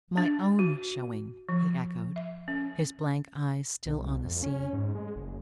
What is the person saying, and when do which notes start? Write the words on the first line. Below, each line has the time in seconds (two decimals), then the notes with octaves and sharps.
"My own showing?" he echoed, his blank eyes still on the sea.
0.17 D4
0.59 F#4
1.49 F3
2.16 E5
2.48 C#4
3.86 B1
4.00 C2
4.25 F2
4.43 C#4
4.73 G#2
4.95 G#3
5.16 F#1